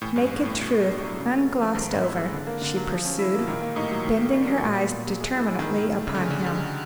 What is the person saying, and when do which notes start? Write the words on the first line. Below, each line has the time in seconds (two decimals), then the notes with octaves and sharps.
"Naked truth, unglossed over," she pursued, bending her eyes determinately upon him.
0.02 A2 E3
0.16 G2 C#4
0.31 E3
0.45 A2 A3
0.59 B2
0.74 A3
0.88 D4
1.03 F#3
1.18 C#3
1.31 A3
1.45 C#4
1.60 F3
1.75 G#2 D#3
1.90 B3
2.03 E4
2.17 G#3
2.32 D3
2.47 A#3
2.62 D3
2.76 F#3
2.89 F3
3.05 C#4
3.19 E4
3.34 B2 A#3
3.47 A#2 D#3
3.62 A#3
3.76 A2 D#4
3.91 F#3
4.05 D#3
4.19 A#3
4.34 D4
4.49 F#3
4.63 A#2
4.77 B3
4.92 A#2
5.06 F#3
5.20 G#3
5.34 E4
5.49 G#3
5.59 D#3
5.64 B3
5.78 A2 D#3
5.92 A3
6.06 A2 C#3
6.15 D3
6.21 C#3 E3
6.30 D3
6.36 C#3 G3
6.46 D3
6.50 C#3 D#4
6.64 F#4